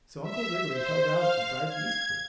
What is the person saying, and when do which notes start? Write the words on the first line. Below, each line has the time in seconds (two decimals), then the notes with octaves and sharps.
So Uncle Wiggily held out the bright yeast cake.
0.22 E5
0.69 C5
1.11 F5
1.68 G#6